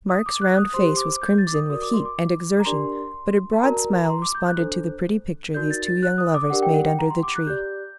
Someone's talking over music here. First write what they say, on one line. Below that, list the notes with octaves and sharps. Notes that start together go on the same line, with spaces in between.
Mark's round face was crimson with heat and exertion, but a broad smile responded to the pretty picture these two young lovers made under the tree.
D#6
D6
F#6
D#6
G4 C5 C6
D6
G6
A6
D6
D#6
F#4 A#4 D5 D#6
D6
C6
D6
A#5
D4 G4 A#4 D5 C6
A5
F#4 A#4 D5 A#5
A#5
C6
D6
G6
F#6
D4 A4 C5
D#4 F#4 A#4 D5 G6
A6
A6
F#6
D#6
D6
D4 G4 A#4 D5 F#5
G5
F#5
G5
A#5
C6
D6
F#6
G4 D5 G6